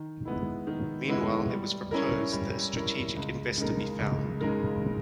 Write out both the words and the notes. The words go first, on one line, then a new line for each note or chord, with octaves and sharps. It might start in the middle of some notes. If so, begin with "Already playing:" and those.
Meanwhile, it was proposed that a strategic investor be found.
Already playing: D#3
G#3 B3 E4
D#3
G#3 B3 E4
G3
C#4 E4 A#4
G3
C#4 E4 A#4
C#2
C#3 G#3 D#4 A#4
C#2
C#3 G#3 D#4 A#4